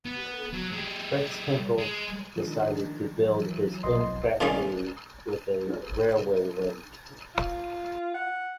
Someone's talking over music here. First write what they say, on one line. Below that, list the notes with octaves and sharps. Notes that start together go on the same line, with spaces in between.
Fritz Henkel decided to build his own factory with a railway link.
B3
F#3
G#3 G4
G#3
D#3 F3 G#3 D4
E3 F#3
B1 D#5 C6
A2 D#3 G3 C#4 G#4
F4
F#5